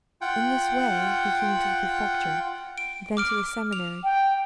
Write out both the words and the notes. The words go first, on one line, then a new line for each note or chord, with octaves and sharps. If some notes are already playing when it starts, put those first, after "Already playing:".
In this way he came to the prefecture, then to the seminary.
F4 F#5 G5
D7
D6 F6 D7
F7
G5